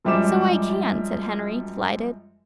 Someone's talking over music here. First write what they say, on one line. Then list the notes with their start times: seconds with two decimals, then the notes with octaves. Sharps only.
"So I can!" said Henry, delighted.
0.05 F#2 F3 G3 G#3 D6 E7